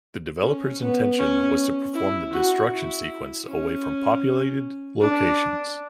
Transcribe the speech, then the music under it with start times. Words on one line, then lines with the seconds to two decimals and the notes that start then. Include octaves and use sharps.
The developers' intention was to perform the destruction sequence away from populated locations.
0.41 C#4
0.79 B3
1.18 C#4
1.95 E4
2.33 F#4
2.71 E4
3.48 C#4
5.01 D4